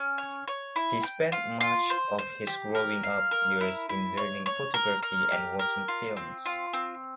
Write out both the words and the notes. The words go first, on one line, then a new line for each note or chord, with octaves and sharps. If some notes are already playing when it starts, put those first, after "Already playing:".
He spent much of his growing up years in learning photography and watching films.
Already playing: C#4
C#5
C#5
E4
G5
F4
F4
C5
C5
G4
A#4
F5
A#4
E4
E4
C#5
C#5
A#4
A#4
G4
A#4
F4
C4
F4
C4